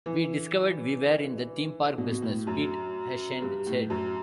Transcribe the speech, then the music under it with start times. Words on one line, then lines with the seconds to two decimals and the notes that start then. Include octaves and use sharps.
"We discovered we were in the theme park business," Pete Herschend said.
0.06 E3
1.98 B2
2.11 B2
2.22 A2
2.47 F#2
3.42 G2
3.66 A2
3.90 F#2